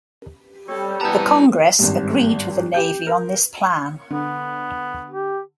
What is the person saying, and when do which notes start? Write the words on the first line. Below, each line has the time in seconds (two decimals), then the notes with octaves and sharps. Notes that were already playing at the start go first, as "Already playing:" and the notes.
The Congress agreed with the Navy on this plan.
0.68 G3 C4 A4 C#5
1.01 B2 E3 B3 E4 A5 A#5 G6
1.79 G#1 G2
2.74 G4 G6
3.07 A#4
4.10 D3 B3
5.10 G4